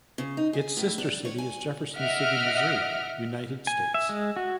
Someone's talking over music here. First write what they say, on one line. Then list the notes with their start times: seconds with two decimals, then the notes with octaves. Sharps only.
Its sister city is Jefferson City, Missouri, United States.
0.18 C#3
0.37 D#4
0.53 G#4
0.77 A2
0.98 D4
1.25 C#5
1.38 G#5
1.95 D#5 E5 F#5 F6 D7
3.67 G#5
3.94 E5
4.09 G#3
4.36 F#4